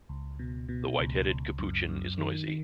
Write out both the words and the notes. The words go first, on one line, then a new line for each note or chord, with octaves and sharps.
The white-headed capuchin is noisy.
C#2
B2
B2
C#2
C#2
F#2
F#2
D#3
D#3